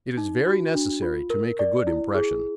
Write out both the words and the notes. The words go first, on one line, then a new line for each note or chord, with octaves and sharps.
It is very necessary to make a good impression.
D#4
F#4
D4
F4
A#4
D5
E4
G#4